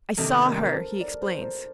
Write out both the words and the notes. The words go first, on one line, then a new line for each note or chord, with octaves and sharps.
"I saw her," he explains.
C3 D#3 G3 A#3 D4 A4
A#4
A#4
C5
D5
C5
C5